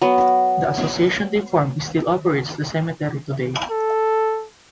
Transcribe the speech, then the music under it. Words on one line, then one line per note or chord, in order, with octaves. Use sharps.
The association they formed still operates the cemetery today.
F#3 B3
A4